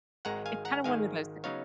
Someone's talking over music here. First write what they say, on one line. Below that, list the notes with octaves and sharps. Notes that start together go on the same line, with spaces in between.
it's kinda one of those thing
G#1 G#2 D#3 G#3 F#5 A#5
F5 G#5
F#5 A#5
G#1 G#2 D#3 G#3 F5 G#5
C#3 F#3 B3 D#4 C#5 F5